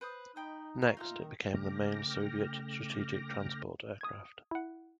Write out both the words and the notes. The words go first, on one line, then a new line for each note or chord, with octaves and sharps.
Next it became the main Soviet strategic transport aircraft.
B4 C5 D#6
D#4 D#5 G5 B5
F5 A#5 C#6
D#4 F4 E5 A#5
D#3
C#3 A3 G5 D6 F6 A#6
D#6 G#6
E4 F#5